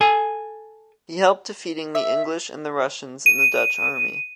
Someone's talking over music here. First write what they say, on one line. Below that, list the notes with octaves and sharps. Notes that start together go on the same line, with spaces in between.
He helped defeating the English and the Russians in the Dutch army.
A4 G#5
E5
D#7